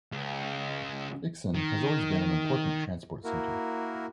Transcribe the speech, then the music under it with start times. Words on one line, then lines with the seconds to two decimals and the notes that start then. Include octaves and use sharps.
Iksan has always been an important transport center.
0.12 C#2
1.55 D#3
3.24 A#3 E4 F#4 A#4